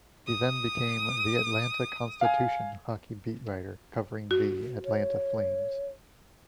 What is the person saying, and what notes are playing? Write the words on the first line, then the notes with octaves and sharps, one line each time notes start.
He then became "The Atlanta Constitution" hockey beat writer, covering the "Atlanta Flames".
D#6
F5 G#5
F#4
C#5